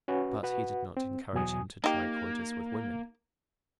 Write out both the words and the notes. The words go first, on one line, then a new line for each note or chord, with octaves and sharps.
But he did not encourage him to try coitus with women.
C#4 F#4 B4 C#5
F#4 B4 F#5
C4
E2 B2 F#3 G#5 D#6
A#3 D#4 G4